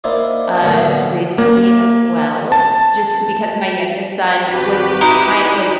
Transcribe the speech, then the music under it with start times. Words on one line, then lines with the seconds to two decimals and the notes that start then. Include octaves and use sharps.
uh, recently as well just, eh, because my youngest son was, eh, ki like,
0.04 A#3 D#4 E4 C5 D5
0.62 B1 A2 D3 A#3 B3 C#5
1.38 A#3
2.52 A5
4.47 G#1 C4 F#4 G4 B4
5.01 D#4 E4 A#5